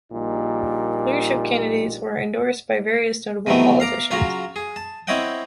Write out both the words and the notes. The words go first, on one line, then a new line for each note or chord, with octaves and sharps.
Leadership candidates were endorsed by various notable politicians.
A#1 A#2 G3 D#4
C3 D#3 E3 F#3 A3 B3
F5 A#5 D6
C#3 F#3 F4 F#4 A#5
G#4
A5
C4 E4 C#5 D#5 F#5 G5